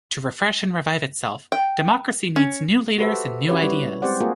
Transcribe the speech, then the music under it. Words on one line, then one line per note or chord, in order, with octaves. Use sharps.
To refresh and revive itself, democracy needs new leaders and new ideas.
G5
C#4
F#4 G4 A4 B4 C5 E5
C#4 E4 F#4 G4 B4 C#5
G3 B4
G#3 C4 G4 C5 D5 F#5
A#3 F4 F#4 G#4 A#4